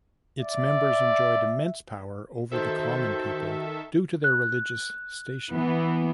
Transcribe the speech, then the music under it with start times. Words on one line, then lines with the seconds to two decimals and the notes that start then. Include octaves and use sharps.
Its members enjoyed immense power over the common people due to their religious station.
0.40 D5 E5
2.52 D#3 F#4 A4 C5 E5
4.24 F#6
5.52 E3 B3